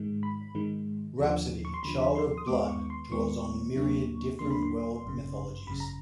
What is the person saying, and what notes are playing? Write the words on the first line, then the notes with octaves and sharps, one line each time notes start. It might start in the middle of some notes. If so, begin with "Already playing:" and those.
"Rhapsody: Child of Blood" draws on myriad different world mythologies.
Already playing: G#2 D#3 G#3
B5
G#2 D#3 G#3
D#2 D3 F3
C#6
C6
D#2 D3 F3 B5
C6
D#6
D#2 D#3 G#3 B3 D6
C#6
C6
D#2 D#3 G#3 B3 C#6
D#2 D3 F#3 A#3 D4
D#2 D3 F#3 A#3 D4 C6
B5
C6
G#1 F#2 C#3
G#1 F#2 C#3 B5
A#5